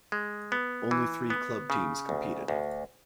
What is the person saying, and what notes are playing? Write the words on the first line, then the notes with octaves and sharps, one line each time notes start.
Only three club teams competed.
G#3
B3
E3
B3
C#3
D2
D2